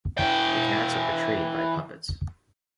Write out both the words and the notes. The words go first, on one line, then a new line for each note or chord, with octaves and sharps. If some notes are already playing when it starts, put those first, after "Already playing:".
The cats are portrayed by puppets.
E3 G5